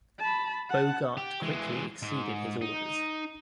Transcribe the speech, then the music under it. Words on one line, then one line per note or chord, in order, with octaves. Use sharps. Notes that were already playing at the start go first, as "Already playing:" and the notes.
Bogart quickly exceeded his orders.
A5 B5
F#5 A5
G4
E3 G#3
G#2
D#4